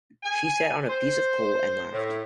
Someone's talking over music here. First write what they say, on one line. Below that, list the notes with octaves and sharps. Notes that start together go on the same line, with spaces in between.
She sat on a piece of coal and laughed.
G#5
C5
A2